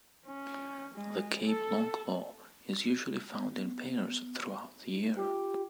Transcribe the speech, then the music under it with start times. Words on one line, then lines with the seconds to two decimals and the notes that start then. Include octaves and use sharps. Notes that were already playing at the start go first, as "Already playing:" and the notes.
The Cape longclaw is usually found in pairs throughout the year.
0.26 C#4
0.95 G#3
1.46 A4
3.36 B3
4.93 D#4
5.17 F4 G4